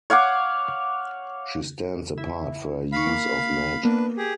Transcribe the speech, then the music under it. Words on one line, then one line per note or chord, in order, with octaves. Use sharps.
She stands apart for her use of magic.
C#5 F5 F#5 D6
E4
F5 B5 C#6 B6
A#3
A#3 B3 D4 B4
G4 G#4